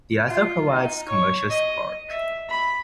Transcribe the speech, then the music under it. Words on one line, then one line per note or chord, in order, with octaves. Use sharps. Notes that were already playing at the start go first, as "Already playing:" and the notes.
The author provides commercial support.
F4
D#4
C#5
D#5
E5
B5